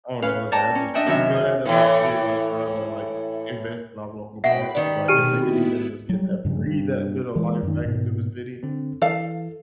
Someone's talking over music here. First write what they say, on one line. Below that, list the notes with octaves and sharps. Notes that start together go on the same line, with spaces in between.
I don't know, it's, like, I just I'm glad that my city is, like, tryna, to like, invest in our local parks, it's, like, if they could even just get that breathe that bit of life back into the city,
C#4 B4 F5
C#5 D5 G5 A5 A#5
C#4
D4 D#5 E5 F#5 G5
F#2 D#3 C#4 E4 C#5 E5
G#4 C5
A2 E3
B2 E5 F#5 G5 B5 C7
G2 D#3 D5
B2 C4 G4 G#5 F6 D#7
B3 E4 F#4
F#3 G3
G2 C#3 F3 G3
G2
E3 G#3
F#2 D#3
G#2 B2
D3 C4
E3 A4 F5